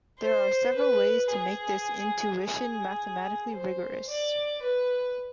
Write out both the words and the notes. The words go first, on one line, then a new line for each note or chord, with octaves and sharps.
There are several ways to make this intuition mathematically rigorous.
C5
B4
G#4
G#4
C5
D5
B4